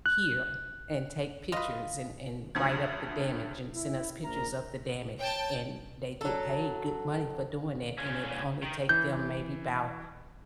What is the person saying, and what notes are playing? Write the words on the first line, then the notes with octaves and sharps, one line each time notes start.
here and take pictures, and and write up the damage, and send us pictures of the damage." And they get paid good money for doing that, and it only take them maybe 'bout,
F#6
F4 B4 D#5
D2 D3 F3 G#6
E4
A#1 A#4 A#5
C#5 G5 A5
F#3 A4
A#2 C#4
D#3
E3 G6